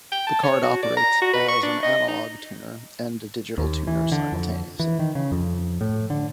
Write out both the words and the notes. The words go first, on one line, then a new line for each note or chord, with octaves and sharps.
The card operates as an analog tuner and a digital tuner simultaneously.
G5
A5
C#5
F#4
D5
A#5
F#4
B4
C#6
D4
D#5
D#4
D#2
E3
D3
F2
E3
D#3
C#3
F2
A2
D3